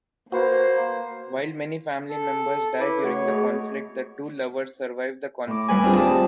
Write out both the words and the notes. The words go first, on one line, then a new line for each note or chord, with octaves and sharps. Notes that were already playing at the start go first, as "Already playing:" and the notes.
While many family members die during the conflict, the two lovers survive the conflict.
A#3 F#4 B4 C5 F#5
A4
E4 A4 B4 C#5 D6
A3 F#4 C#5 F#5
A3 G#4 D#5
A2 D6
D#2 G3 B4 G#5
C4 D4 D#4 F4 G4 G#4
A5 D#6